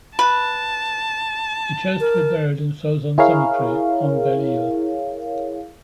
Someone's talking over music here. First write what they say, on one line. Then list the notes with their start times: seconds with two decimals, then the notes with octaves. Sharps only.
He chose to be buried in Sauzon cemetery on Belle-Ile.
0.19 B4 A5
2.00 A#4
3.18 E4 G#4 A#4 C#5 F5